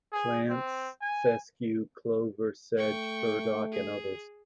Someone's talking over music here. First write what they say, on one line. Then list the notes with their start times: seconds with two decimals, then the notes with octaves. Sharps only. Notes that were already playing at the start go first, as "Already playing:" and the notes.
Plants: fescue, clover, sedge, burdock and others.
0.13 G#4
0.50 C4
1.02 G#5
2.77 A3 G5 C#6
3.72 G#4